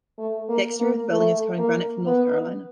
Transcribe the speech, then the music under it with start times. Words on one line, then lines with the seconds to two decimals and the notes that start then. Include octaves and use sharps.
The exterior of the building is covered in granite from North Carolina.
0.18 A3
0.49 A#3
0.80 A#3
1.12 A3
1.58 A#3
2.06 B3